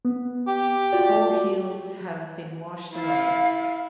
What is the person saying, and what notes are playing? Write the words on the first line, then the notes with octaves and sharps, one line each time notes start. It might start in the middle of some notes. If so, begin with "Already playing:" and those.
Whole hills have been washed away.
B3
G4
F4 F#4 D5
E4 F5